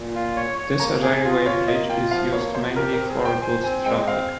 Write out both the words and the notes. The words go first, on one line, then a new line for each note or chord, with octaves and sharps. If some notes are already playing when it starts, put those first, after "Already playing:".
This railway bridge is used mainly for goods traffic.
Already playing: A#2
F4
C#5
C#5
A#3 A#5
G#4
F4
F4 C#5
A#3 D#5
F4 G5
F3 F5
A#3 C#5
F3 C5
G4 A#4
A#4
C4
G#4
C5 G5
C5 G#5
C4 G#5
G#3 G5
C4 F5